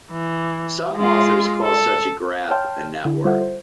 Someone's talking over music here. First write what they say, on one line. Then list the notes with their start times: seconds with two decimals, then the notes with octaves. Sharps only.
Some authors call such a graph a "network".
0.11 E3
0.96 G#3 F4
1.63 A4
2.50 C#5 G5 A5 C6 F6 G6
3.05 D3 E4
3.25 G3 F4 A4 C5 E5 F#5
3.41 C5